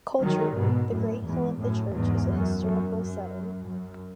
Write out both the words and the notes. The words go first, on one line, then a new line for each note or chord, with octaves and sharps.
Culturally, the great hill of the church is a historical setting.
D#3 F#3
G#2 B2
F#2 A2
E2 G#2
F#2 A2
E2 G#2
F#2
F#2
F#2
F#2